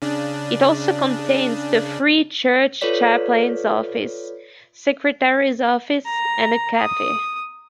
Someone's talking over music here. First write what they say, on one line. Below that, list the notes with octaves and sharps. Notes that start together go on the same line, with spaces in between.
It also contains the Free Church Chaplains' office, Secretary's office and a Cafe.
C#3 D4
F4 A4 B4 C#5 D5 B6
A#5
D#6